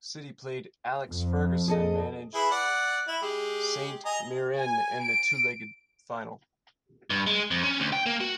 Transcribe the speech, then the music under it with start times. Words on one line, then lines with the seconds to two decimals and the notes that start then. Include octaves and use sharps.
City played Alex Ferguson managed Saint Mirren in the two-legged final.
1.09 F2
1.68 G#4 A4 D#5
2.34 E4 G#4 B4
2.51 D5 F#5
3.08 E4
3.22 G#3 G4
4.05 D#5 G#5 A#5
4.55 G#5
5.02 D7
7.10 G2
7.27 G#3
7.51 F2
7.63 C#4
7.80 D2
7.93 G5
8.06 A#3
8.21 F#4